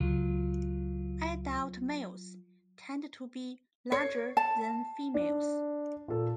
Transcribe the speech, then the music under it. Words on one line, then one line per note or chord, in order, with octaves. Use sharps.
Adult males tend to be larger than females.
C#2 F#3 F4
C#5 C7
A5
D4
A#2 A4